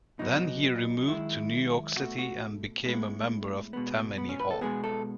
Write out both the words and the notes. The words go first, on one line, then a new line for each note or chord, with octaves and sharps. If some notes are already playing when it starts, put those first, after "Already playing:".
Then he removed to New York City and became a member of Tammany Hall.
B2 F#3 B3 D#4
F#2 D#3 G#3 E4
B2 A3 F#4
F#4
A2 G#3 B3
B2 G#3 B3
B3
C#4
B4
A4
B2 G#3 B3 G#4
A4